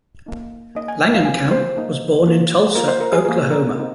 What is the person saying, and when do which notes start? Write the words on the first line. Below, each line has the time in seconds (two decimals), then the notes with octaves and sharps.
Langenkamp was born in Tulsa, Oklahoma.
0.26 A#3 D#4
0.75 A#3 D#4 D#5
0.88 G#5
1.14 F5
1.25 G#3 C4 F4 G#5
1.51 C5
1.76 A#3 D#4
2.26 A#3 F4
2.75 A#3 F4 A#4
2.88 C5
3.01 A#4
3.13 G#4
3.25 A#3 F4 G#4
3.50 A#4
3.75 G#3 C4 D#4 A#4